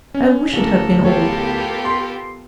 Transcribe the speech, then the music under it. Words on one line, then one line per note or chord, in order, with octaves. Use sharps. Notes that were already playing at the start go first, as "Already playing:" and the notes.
I wish it had been all.
C#4
D1 A4 A#4
B3 F4 G4 A4 A#4 C#5
C6